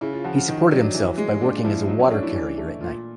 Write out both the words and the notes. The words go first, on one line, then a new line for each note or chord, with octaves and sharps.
He supported himself by working as a water-carrier at night.
C#3 E4
F4
F3 F#4
F#4
D#3 D#4
F#3 D4
E3
G#3
A#2 D4
F3 E4
F#3 D#4
C#4
A3 D4
E4
E3
A3
A#2 F4